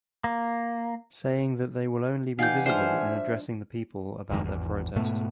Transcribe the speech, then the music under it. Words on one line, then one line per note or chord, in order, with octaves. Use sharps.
Saying that they will only be visible in addressing the people about their protest.
A#3
E3 D#4 G4 D5 F5 F#5 G#5 G6
F3 G#3 D4 C5 E5 F6
F#1 F2 D#3 G#3
G#1 E2
G#2 B2 A3 B3